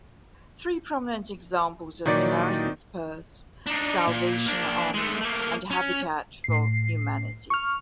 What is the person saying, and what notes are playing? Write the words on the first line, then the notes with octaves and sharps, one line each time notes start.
Three prominent examples are Samaritan's Purse, Salvation Army, and Habitat for Humanity.
A#2 D#3 E3 F#3 D#4 D5
D4 D#4
A#2
A#3 D4
G#3 A3
A3 A#3
C#4
A2 C7
C#6 F6